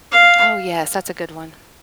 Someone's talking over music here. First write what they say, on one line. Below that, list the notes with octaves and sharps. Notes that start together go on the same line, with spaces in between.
Oh, yes, that's a good one.
F5